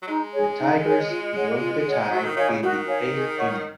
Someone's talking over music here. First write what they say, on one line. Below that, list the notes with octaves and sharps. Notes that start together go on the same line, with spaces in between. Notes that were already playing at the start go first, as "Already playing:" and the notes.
The Tigers broke the tie in the eight inning.
F#3
G#3 D#4
G#4 C#5
D#4
G#4 C#5
F4
G#4 C#5 F#5
F4
G#4 C#5 F#5
F#3 F#4
D#3
D#3 C#5 F5 G#5
C#3
D#3 F#4
C#5 F5 G#5
G#4
C#5 F#5 C#6